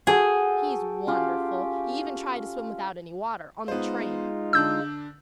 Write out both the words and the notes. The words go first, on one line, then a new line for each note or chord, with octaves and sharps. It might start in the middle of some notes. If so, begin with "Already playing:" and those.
"He's wonderful! He even tried to swim without any water, on the train."
F#4 G#4 A4 G5
C#4 F4 G4
G#3 B3 D#4 F4 C5
D3 D4 E6 G6